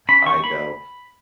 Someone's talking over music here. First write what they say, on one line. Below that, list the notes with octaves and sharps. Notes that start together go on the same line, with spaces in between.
I know.
C#4 B5
D#3 C#6
A#3 B5